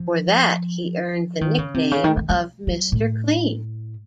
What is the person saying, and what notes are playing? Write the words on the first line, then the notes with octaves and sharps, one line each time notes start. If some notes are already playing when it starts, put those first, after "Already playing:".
For that he earned the nickname of Mr. Clean.
Already playing: F3
D#3
C#3
C3
C#3
D#3
D#3
F#3
F#3
A2